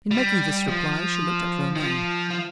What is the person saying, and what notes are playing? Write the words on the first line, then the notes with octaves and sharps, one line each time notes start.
In making this reply, she looked at Romayne.
G3
F3
D#3
F3
F3